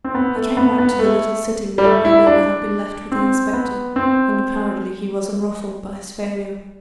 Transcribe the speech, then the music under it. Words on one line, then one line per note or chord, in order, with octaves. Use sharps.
He came back to the little sitting-room where Milburgh had been left with the Inspector and apparently he was unruffled by his failure.
C4
B3
A3
B3
B3
A3
G3
A3
E4
D4
C4
B3
C4